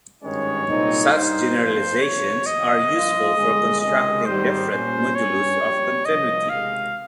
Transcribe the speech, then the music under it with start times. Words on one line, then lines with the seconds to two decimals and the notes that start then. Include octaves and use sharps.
Such generalizations are useful for constructing different modulus of continuity.
0.22 G#1 G2 D#3 G#3 C#4 C#5
0.67 C2 A#2 G#3 C4 D#4
1.12 G2 G3 C4 D#4 C5
1.57 G1 G2 F3
2.01 G1 F2 C3 F3 C#5
2.46 F2 C3 D#3 D#5
2.91 G2 F3 A#3 F4
3.35 G1 F2 D#3 G#3
3.80 C#2 C3 D#3 G#3 C#4 D#5
4.26 G#1 G#2 D#3 G3 C5
4.71 A#2 G3 C#4
5.15 G2 G3 C#4 C#5
5.60 A#1 A#2 G3
6.04 C2 A#2 F3 D#5
6.49 C#2 C3 D#3 G#3 F5